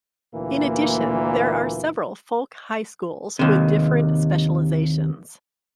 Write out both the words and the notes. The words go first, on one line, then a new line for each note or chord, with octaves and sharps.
In addition, there are several folk high schools with different specialisations.
D2 A#2 E3 A#3
D#2 C3